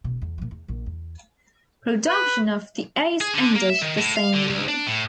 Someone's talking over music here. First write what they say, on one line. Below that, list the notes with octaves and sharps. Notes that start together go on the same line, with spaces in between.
Production of the Ace ended the same year.
E1 B2
E2
A#2 F3
E2
A#1 A#2
E2
B4
G#4
D3
A#3
E5
D#3
A2
F5
D3
C#2
D4
A2